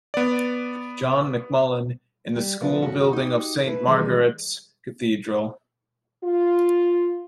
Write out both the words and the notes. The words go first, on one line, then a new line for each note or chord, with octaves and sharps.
John McMullen, in the school building of Saint Margaret's Cathedral.
B3 D5
G3
C3 F3 F#3 B3 F4 A#4
G2 D#3 C#4 F#4
D#4 F#4 G4
E4 A#4 B4
D#3 E3 G3 G#3
F4